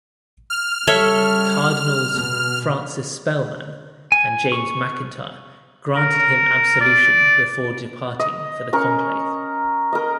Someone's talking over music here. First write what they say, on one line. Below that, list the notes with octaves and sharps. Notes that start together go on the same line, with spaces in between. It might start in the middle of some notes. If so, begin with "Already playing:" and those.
Cardinals Francis Spellman and James McIntyre granted him absolution before departing for the conclave.
F6
C#3 G3 A4 C#5 E5
B2
G#5
C#6
A#4
D5
D#5
C#4 A#4 C#6
A#4 D#5